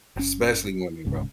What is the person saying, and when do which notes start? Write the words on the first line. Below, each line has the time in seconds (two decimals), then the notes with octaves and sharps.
Especially women, bro.
0.16 F#1 C#4
1.05 D1 C2 G#2 C#3